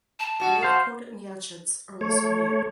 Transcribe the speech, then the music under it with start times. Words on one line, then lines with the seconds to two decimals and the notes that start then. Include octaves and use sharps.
Waldport and Yachats are also near.
0.19 A5
0.40 B2 F#4
0.63 C5 F5
2.01 A3 C#5